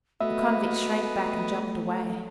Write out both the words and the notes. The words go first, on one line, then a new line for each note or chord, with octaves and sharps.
The convict shrank back and jumped away.
A3 B3 F#4 D#5 E5